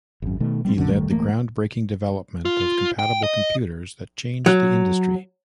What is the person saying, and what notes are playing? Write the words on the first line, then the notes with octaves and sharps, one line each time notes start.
He led the groundbreaking development of compatible computers that changed the industry.
G#1 F#2
B2 D#3 A3
G3 A#3 C4
B1 A#2 D3 C#4
F1 D#3 G3 A3
D1 E3 A3 A#3
F4
G5
D#5
F#3